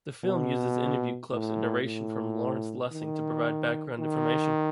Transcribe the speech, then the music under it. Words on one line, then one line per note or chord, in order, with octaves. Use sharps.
The film uses interview clips and narration from Lawrence Lessig to provide background information.
B2
A2
A2
D#3
D#3